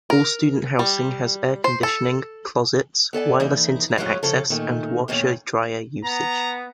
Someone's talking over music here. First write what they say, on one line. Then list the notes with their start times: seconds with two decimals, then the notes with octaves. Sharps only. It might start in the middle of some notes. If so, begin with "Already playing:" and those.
All student housing has air-conditioning, closets, wireless Internet access, and washer-dryer usage.
0.10 A#4
0.79 G3
1.64 C5
1.83 A4
3.13 B3 A4 D5 G#5
3.40 E3 A#3 D#4 E4
3.98 F3 F#3 G#3 A3 C#4 F4
4.23 C#3 F3 A4
4.50 A#2 D#3 A3 D#4
5.08 E2 A#2 D#3 C#4
6.05 B3 A#5